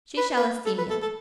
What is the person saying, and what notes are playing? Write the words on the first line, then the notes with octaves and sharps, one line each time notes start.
She shall esteem you.
B4
B4
A4
B4
A4
A4